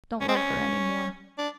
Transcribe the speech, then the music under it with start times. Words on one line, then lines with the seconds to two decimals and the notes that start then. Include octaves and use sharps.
Don't love her any more.
0.21 C#4
0.28 C4
0.36 C#4
1.38 D4